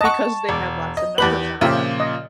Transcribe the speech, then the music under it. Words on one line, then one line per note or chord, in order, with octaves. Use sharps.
because they had lots of numbers on them.
D#5 F#5 A5 C#6
E1 D5
D#5
E2 G4 B4 D5 F#7
A#2 C#3 F3 G4 E5
D#5